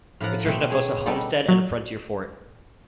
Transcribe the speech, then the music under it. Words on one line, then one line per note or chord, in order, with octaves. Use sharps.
It served as both a homestead and frontier fort.
A2 F3 A#4 F#5 A#5
B2 A3 C4
G#4 C#5
G3 B3 D#4 A4
F#3